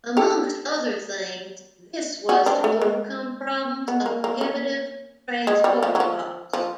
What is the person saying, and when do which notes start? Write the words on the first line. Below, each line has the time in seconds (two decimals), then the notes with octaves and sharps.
Amongst other things this was to overcome problems of prohibitive transport costs.
0.17 G4 A4
2.29 F#4 G#4
2.46 C4 D4
2.64 A3
2.82 G#3
3.88 B3
4.06 A#3
4.24 A#3
4.41 A#3
5.47 G#3
5.64 G3
5.83 F3
5.95 F#3
6.00 F3
6.53 F3